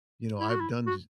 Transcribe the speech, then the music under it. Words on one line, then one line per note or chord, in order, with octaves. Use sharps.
you know, I've done j
E4
F#4
E4
F#4